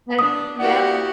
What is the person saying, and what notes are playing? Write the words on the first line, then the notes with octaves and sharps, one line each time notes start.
and yep.
D4 D#6
A#3 E4 F#4 G4 D5 F#5